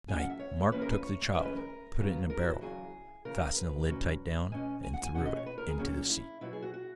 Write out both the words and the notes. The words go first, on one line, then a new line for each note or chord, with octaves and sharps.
At night Mark took the child, put it in a barrel, fastened the lid tight down, and threw it into the sea.
G#2 F#3 C#4 G#5
F#5
E5
C#5
F#2 E3 A#3 C#4 B4
A#4
B4
C#5
F#2 E3 G#3 C#4 B4
B4
A#4
C#3 F#3 B3
A#4
F#4
E4
E2 C#3 F#3 G#4
C#3 E3 B3 A#4
B4
A#2 F#3 C#4
B2 G#3 C#4 G#5
G#5
F#5
G#5
E2 B2 A#3 C#4 F#5
D#5
C#5
B4
A#4
G#4
A#2 F#3 A#3 C#4
E4
B2 F#3 B3 E4
G#4
F#4
F#4